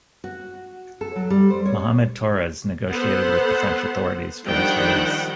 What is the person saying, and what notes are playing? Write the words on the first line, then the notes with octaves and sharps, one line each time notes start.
Muhammad Torres negotiated with the French authorities for his release.
F#4
A4
F#3
G3
C5
C#5
B3 A4 C5 F#5
D#3 F3 G3 D4 F#5 G5